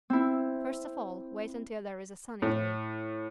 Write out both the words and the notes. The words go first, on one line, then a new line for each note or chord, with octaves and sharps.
First of all wait until there is a sunny day.
C4 E4
A2